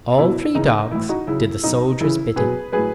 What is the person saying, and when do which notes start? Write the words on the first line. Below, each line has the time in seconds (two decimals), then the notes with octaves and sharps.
All three dogs did the soldier's bidding.
0.18 B2 F#3 E4
0.55 C#3 E3 D#4
0.91 A2 E3 E4
1.09 D#4 F#4
1.27 C#3 F#3 E4
1.63 B2 F#3 D#4
2.01 C#3 E3 E4
2.36 B2 F#3 G#4 B4
2.72 A2 F#3 G#4 B4